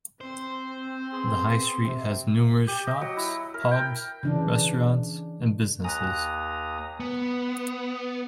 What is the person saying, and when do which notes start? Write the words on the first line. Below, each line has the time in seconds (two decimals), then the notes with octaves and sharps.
The high street has numerous shops, pubs, restaurants and businesses.
0.21 C4 C5
1.13 B3 G#4 C6
1.86 C3
2.67 G4
2.87 D#5
3.01 F#3
3.17 E4
3.54 A#4
3.71 G5
4.23 C#3 E3 D4
5.84 D#2 G#5 A#5 D#6 F#6
7.00 B3